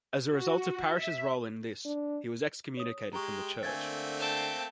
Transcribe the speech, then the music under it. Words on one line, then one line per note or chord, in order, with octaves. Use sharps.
As a result of Parrish's role in this, he was excommunicated from the church.
F#4
E5
D4
C#5 D#6
G#3 G4 G5 A#5 C#6
D3 A3 A#3 C4 G#5 G#6 A6
G5 A5